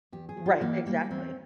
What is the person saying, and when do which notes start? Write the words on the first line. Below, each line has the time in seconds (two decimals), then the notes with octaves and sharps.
Right, exactly.
0.12 E2 G4
0.29 G#4
0.37 E2
0.46 F4
0.61 E3 A#3
0.86 G3 A#3
1.10 E2 C4